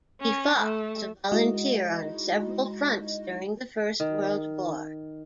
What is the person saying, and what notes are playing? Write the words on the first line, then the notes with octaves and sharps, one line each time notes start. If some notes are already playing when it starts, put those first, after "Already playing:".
He fought as a volunteer on several fronts during the First World War.
C#4
A3
G#3 D#4 E4 F#4 D#5
D#3